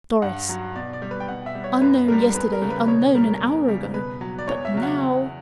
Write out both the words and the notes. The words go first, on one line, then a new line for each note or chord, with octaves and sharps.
Doris! Unknown yesterday, unknown an hour ago; but now!
G2 F#5
F#3
B2 D5
D5
G3
B4
G5
B2 F#5
E5
G3
C#5
F#2 B4
D3 G3 A#4
E2 B4
A#4
C#3 G3
B4
B2 C#5
G3 A#4
E2
C#3 G3
B2 B4
F#3
D5
E2 C#5
E5
C#3 F#3
F#5
E2